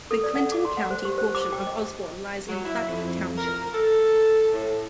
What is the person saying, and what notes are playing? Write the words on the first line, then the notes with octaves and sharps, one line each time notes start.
The Clinton County portion of Osborn lies in Platte Township.
A4
D5
F#5
D6
C6
F#5
C5
G4
C5
D6
G5
D#5
F#3
E4
F2
A#4
A4
A2